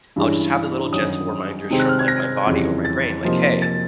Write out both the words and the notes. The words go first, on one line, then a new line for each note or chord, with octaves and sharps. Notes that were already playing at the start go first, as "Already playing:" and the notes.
I'll just have the little gentle reminders from, like, my body or my brain, like, "Hey,
G2 E3 G#3 C#4
F#2 D#3 F#3 D#6
C3 D#3 G#3 C4
F#6
F6
G#6
A#6
F2 C#3 E3 G3
A6
C3 F3 A#3 D#4
A6